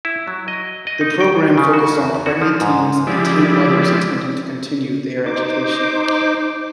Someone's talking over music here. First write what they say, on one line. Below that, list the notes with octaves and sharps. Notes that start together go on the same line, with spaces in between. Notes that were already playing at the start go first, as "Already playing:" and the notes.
The program focused on pregnant teens and teen mothers, attempting to continue their education.
E4
F#3
D#5
D#5
D#4
G5
C#3
F#4
E2
F#4
F3
G#2
F3 G#3 E4 G4 D5
D#4 C5 D6